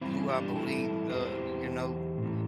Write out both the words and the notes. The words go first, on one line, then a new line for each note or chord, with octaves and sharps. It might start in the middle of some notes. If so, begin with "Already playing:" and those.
who I believe, uh you know, b
G2 E3 C4 E4
D4 G4
E4 A4
E2 E3 G4 C5
A2 E3